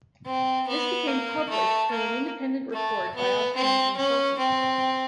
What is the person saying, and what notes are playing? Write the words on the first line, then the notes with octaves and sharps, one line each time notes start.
This became public through an independent report by Austrian consultants.
C4
B3
A#3
A3
A#3
A3
B3
C4
C#4
C4